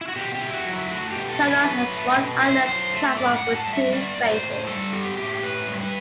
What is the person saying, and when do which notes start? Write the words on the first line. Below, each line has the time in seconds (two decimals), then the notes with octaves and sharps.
Tynong has one island platform with two faces.
0.01 E4
0.08 F#4
0.16 B2 G4
0.35 G4
0.41 E4
0.54 F#4
0.66 F#3
0.72 E4
0.91 A3 F#4
1.10 G4
1.16 B2
1.29 A4
1.41 E4
1.48 B4
1.55 A4
1.64 F#3 B4
1.91 A3
2.17 B2
2.42 E4 C5
2.67 F#3 C5
2.92 A3
3.17 A2 D5
3.36 F#5
3.42 A2
3.55 A5
3.67 G3
3.73 E5
3.92 B3 D5
4.18 A2
4.30 C5
4.43 A2
4.67 G3 A4
4.93 B3 G4
5.18 A2 G4
5.43 A2 B4
5.68 G3
5.81 B4